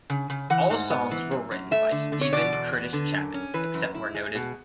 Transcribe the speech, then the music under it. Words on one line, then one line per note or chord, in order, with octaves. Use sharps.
All songs were written by Steven Curtis Chapman, except where noted.
C#3
C#3
E3 F#5
G#2
B3
E3
F#2
F#2
A3 E5
D3
D3
C#5
B2 D5
E2
B3
D3
F#2
C#4
E3 B4
F#2
E4
G#3
B2